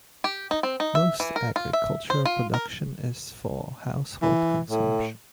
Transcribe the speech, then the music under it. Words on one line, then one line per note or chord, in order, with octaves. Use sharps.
Most agricultural production is for household consumption.
G4
D#4
C4
D#4
E5
E3
A#4
F4
E5
C5
F4
A#4
E3
A2